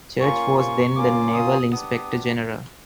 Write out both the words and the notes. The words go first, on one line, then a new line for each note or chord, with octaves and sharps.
Church was then the Naval Inspector General.
A#3 C#4 F4 C#6
C#6
A#3 C#4 F4 D6
D#6
B3 D4 G4 D#6